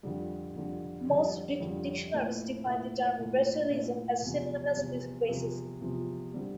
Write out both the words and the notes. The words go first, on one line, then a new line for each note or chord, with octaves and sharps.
Most dictionaries define the term "racialism" as synonymous with racism.
F2 D3 G3
F2 D3 G3
F2 D3 G3
F2 D3 G3
A#2 A3 E4
A#2 A3 E4
A#2 A3 E4
A#2 A3 E4
E2 C3 F3
E2 C3 F3
E2 C3 F3
E2 C3 F3
D3 G3 C4